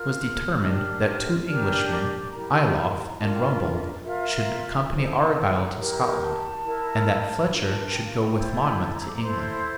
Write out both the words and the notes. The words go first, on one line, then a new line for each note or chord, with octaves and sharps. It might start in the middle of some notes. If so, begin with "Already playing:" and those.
It was determined that two Englishmen, Ayloffe and Rumbold, should accompany Argyle to Scotland, and that Fletcher should go with Monmouth to England.
Already playing: F4 A#4 F6
D4 G4 A#4 F6
D4 G4 A#4 F6
D6
E4 G4 A#4 A#5
G5
A5
A#5
C6
A#5
D4 F4 A#4 A5
G5
E5
D5
E5
D5
F4 A#4 E5
E4 A4 C5 D5
A5
E4 G4 A#4 A#5
A5
E4 A#4
D4 F4 A#4
G5
F5
G5
E4 A4 C5
A5
A#5
E6
D6
A#5
E4 A4 C5 C6